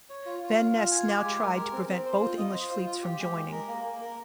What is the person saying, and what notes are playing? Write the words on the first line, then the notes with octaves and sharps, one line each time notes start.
Van Nes now tried to prevent both English fleets from joining.
C#5
F4
F4
F5
F4
G#5
G4
G#3
A#4
A#4
C4
C4
C5
F4
D#5
C5
F4
F4
G4
G#3
G#3
A#4
A#3
A#3
A#4